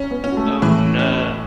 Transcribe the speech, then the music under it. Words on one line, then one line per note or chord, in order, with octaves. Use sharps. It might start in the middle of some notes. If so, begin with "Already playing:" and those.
own, uh,
Already playing: C#4
B3 B4
C#4
F#4
A3 A4
A2 E3 A3
C#4